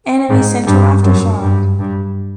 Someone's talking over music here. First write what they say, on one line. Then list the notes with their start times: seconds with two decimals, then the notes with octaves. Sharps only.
Anime Central Aftershock!
0.29 G#2
0.67 G2
1.04 F#2
1.42 G2
1.79 G2